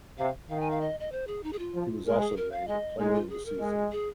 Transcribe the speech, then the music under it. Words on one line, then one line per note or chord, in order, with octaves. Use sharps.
He was also named player of the season.
C3 F5
D#3 F5
G#5
F5
D#5
D#5
C5
G#4
D#4
G#4
F4
F3
G#3 A#4
G#4
A#4
F5
G#3 D#5
G#3 D#4
F4
G#4
A#4
G#3
G#4